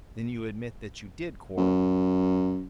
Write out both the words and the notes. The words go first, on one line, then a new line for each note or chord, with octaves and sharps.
"Then you admit that you did quarrel?"
F#2